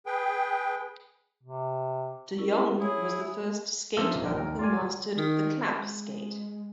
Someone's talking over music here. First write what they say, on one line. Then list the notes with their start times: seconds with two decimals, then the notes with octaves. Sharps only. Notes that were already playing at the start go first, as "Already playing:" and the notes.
De Jong was the first skater who mastered the clap skate.
0.06 G#4 B4 G5
1.43 C3
2.38 C#4 E4 A#4
2.80 E4 G#4 C#5
3.96 F3 A#3 D#4 A4 D#5 E5
4.22 A#1 D3 A#4
4.36 D#2 A#4
4.59 F4 D5 G#5
5.18 D#3
5.73 G#3